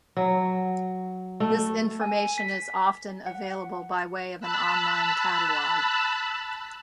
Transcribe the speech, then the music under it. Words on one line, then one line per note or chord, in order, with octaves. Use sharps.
This information is often available by way of an online catalog.
F#3
A3
G#5
B6
F#5
A5 B5 E6 F#6